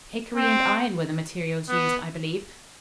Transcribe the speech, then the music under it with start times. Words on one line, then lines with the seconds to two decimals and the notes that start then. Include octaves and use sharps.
Hickory and iron were the materials used, I believe.
0.36 C4
1.69 B3